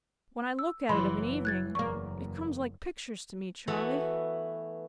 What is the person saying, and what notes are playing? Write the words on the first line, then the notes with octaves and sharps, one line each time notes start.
When I look at it of an evening, it comes like pictures to me, Charley.'
E6
F#1 E3 F#3 B5 C6
F#6 G#6 A6
F#1 E2 A#3 C#6
E3 A3 B3 E4 F#4